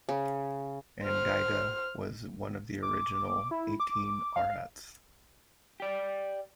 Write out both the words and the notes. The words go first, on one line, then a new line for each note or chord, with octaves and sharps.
Angida was one of the original Eighteen Arhats.
C#3
C5 F6
D6
E4
D6
F5
G4 D5